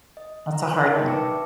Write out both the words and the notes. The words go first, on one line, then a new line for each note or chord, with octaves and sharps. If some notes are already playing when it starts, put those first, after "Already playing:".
That's a hard one.
D#5
A#5
D4 D#4 A#4 D#5 A5 C#6
D5 E5 G5
B4 A5 C#6 D6 E6 C#7